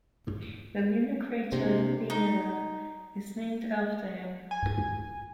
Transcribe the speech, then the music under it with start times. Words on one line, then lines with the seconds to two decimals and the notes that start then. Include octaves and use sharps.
The lunar crater Biela is named after him.
1.52 C3 A#3 D4 C5
2.10 D#4
4.51 G#5